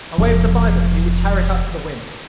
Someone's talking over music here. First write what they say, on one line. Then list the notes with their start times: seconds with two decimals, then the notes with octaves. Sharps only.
Away with the Bible: he would tear it up for the winds!
0.18 F1 F3